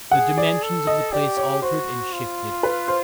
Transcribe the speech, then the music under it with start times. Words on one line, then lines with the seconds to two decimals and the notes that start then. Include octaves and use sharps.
The dimensions of the place altered and shifted.
0.11 G#4 F#5
0.38 D5
0.62 A4
0.87 D#5
1.12 G4 D5
1.37 C#5
1.62 F#4 C5
2.13 F4
2.63 B4
2.88 C5